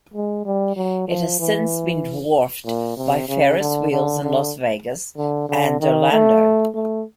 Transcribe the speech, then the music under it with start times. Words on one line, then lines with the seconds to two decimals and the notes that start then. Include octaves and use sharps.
It has since been dwarfed by Ferris wheels in Las Vegas and Orlando.
0.14 G#3
0.46 G3
0.76 F#3
1.08 F3
1.40 E3
2.65 A#2
2.97 C3
3.28 C#3
3.60 D3
3.91 D3
4.23 D3
5.17 D3
5.49 D3
5.80 D#3
6.12 A3
6.75 A3